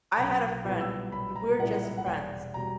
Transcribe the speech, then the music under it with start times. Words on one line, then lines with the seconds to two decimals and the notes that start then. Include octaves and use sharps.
I had a friend, and we're just friends.
0.14 A#5
0.18 B1 B5
0.65 A#2 G3 B3 E4
0.81 E6
1.12 B1 B5
1.36 A#5
1.59 A#2 G3 B3 E4 F#5
1.74 F#5
1.83 E5
1.98 F#5
2.06 E1 G5
2.54 B2 G3 A#5